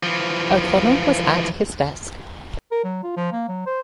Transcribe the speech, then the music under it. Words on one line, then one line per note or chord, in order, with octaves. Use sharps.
O’Connell was at his desk.
E3 F3
A#4
F#3
F4
F3
A#3
F#3
C5